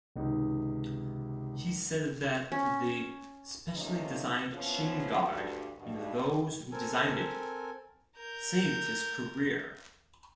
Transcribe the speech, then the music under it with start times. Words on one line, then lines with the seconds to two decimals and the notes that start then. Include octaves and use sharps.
He said that the specially-designed shin-guard and those who designed it "saved his career".
0.16 G#1 C#2 C3 D#4
2.52 C#4
3.75 C3 A3 A#3 C#4 D#4 F4
4.52 F3 B3 C#4 E4 F4
5.22 D2 G2
5.77 G2 B2
6.72 C4 A4 A#4 G#5
8.17 A#4 G6